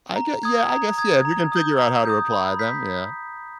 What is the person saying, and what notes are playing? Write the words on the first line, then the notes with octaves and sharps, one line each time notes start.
I gu yeah, I guess, yeah, if you can figure out how to apply them, yeah.
A#5
D#6 G#6
A#5
D#6 G#6
A#5
D#6 G6
A#5
D#6 G6
B5
G6 B6